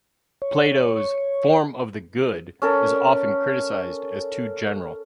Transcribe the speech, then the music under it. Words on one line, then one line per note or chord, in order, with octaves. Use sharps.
Plato's Form of the Good is often criticized as too general.
C#5
C#4 A4 A#4